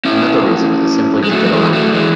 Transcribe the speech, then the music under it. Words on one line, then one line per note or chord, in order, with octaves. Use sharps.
Another reason is simply to get elected.
C#4 E4
G#3
F#3 A3
F#3
E3 G#3
F#3 A3
E3 G#3